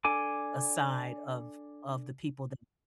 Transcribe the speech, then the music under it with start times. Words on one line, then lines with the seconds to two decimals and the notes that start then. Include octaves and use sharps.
a side of of the people that
0.05 D4 A4 G#5 D6